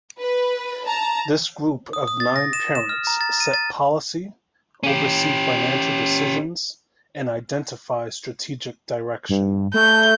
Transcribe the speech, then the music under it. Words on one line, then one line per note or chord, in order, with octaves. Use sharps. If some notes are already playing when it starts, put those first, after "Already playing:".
This group of nine parents set policy, oversee financial decisions and identify strategic direction.
B4
A5 A#5
D#6
D#6
A6
A#6
E7
E7
F6
A#5
A6
D#7
A6
C#4 G4
G2
A3 G6